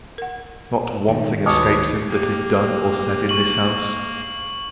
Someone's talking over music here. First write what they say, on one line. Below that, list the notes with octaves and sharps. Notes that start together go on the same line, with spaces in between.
Not one thing escapes him that is done or said in this house.
A#4 F#5
G#2 D#3
D2 B2 C#5 G#5 A5 D6 D#6
A#3 G4
C#6 F#7